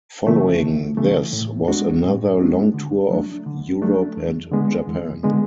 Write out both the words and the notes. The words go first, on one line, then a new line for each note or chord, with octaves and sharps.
Following this was another long tour of Europe and Japan.
C#3 E3 A3
C#2
C#3 E3 A3
A2
G#3 B3 D4 F#4
A2
G#3 B3 D4 F#4
D3
F#3 A3 D4
D3
F#3 A3 D4
E2
D3 G#3 B3
E2
D3 G#3 B3